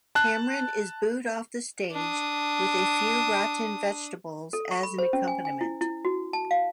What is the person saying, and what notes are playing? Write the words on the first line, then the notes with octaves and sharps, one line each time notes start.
Cameron is booed off the stage, with a few rotten vegetables as an accompaniment.
A5 F#6
D4 D#6
A4
C#6
B5
C5
C#4
G#5
G#5
E4
E4
F#4
A5
F5